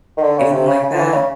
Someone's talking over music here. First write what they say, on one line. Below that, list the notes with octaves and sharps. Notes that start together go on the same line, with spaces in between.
anything like that?
D#3
D3
C#3
C3
C#3
C#3
F3
E3
C#3